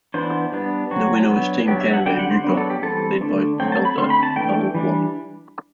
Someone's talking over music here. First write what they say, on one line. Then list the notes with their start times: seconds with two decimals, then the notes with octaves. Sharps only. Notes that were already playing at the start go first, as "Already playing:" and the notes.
The winner was Team Canada - Yukon, led by sculptor Donald Watt.
0.14 E3 B3 D4 C5
0.53 G3 B3 D4
0.91 F#3 C4 F#4
1.29 F#3 B3 D4
1.68 F#3 B3 D4 G4
1.81 E5
1.93 F#5
2.06 D3 G3 D4 G5
2.19 F#5
2.31 C5
2.44 F#3 B3 D4
2.57 A4
2.70 G4
2.83 E3 G3 C4 A4
3.21 D3 A3 D4
3.60 F#3 A3 C4 G5
3.72 A5
3.85 B5
3.98 D3 A3 C4 C6
4.10 B5
4.23 A5
4.36 E3 A3 D4 G5
4.75 E3 G3 D4